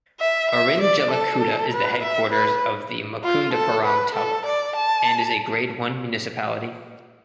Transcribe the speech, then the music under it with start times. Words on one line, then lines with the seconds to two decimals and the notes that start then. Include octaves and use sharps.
Irinjalakuda is the headquarters of the Mukundapuram Taluk and is a Grade-I municipality.
0.20 E5
0.51 E5
0.81 D5
1.11 A4
1.72 B4
2.03 E5
2.32 B4
3.24 F4
3.53 A4
3.85 B4
4.15 A4
4.45 D5
4.76 A5